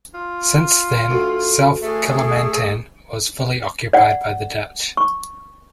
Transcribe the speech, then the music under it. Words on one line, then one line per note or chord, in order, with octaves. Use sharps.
Since then, South Kalimantan was fully occupied by the Dutch.
F4
D2
A3 G#4
D5 F#5
C#6